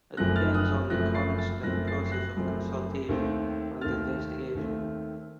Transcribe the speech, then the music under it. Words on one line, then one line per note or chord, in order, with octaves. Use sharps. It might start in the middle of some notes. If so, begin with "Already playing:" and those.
It depends on a constant process of consultation and investigation.
F#1 F#2 F3 A3 C4 F#6 A#6
F6 A6
D#6 F#6
F#1 F#2 F3 A3 C4 F#6 A#6
A6 C7
A6 C7
F#1 F#2 F3 A3 C4 F#6 A#6
A6 C7
C7
F#6 A#6
F#1 F#2 F3 A3 C4
D#2 D#3 A3 C4
D#2 D#3 A3 C4 F6 A6
D#2 D#3 A3 C4